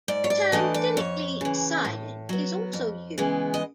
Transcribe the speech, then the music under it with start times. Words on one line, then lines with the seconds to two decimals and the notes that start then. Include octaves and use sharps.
The term clinically silent is also used.
0.08 G#2 D5
0.24 C#5
0.30 D5
0.52 E3 A3 D4 D#5
0.74 D5
0.97 F2 C#5
1.41 C#3 E3
1.85 A2
2.29 F#3 B3
2.73 F2
3.18 C#3 E3 G#3 B3
3.54 D#5